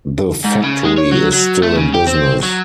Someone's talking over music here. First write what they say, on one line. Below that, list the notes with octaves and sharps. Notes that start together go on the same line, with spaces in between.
The factory is still in business.
G#2
C#3
G#3
C#5
F#3
F#3
A3
C#3
G4
C4
F#3